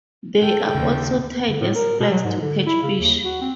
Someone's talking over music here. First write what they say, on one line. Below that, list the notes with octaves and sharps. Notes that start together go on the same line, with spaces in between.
They are also tied as flies to catch fish.
A4 G5
D#2 C#3
D3
A2
A#4
B2
F#3
G#2
D3
E4
C#3
D#2
F#4
C4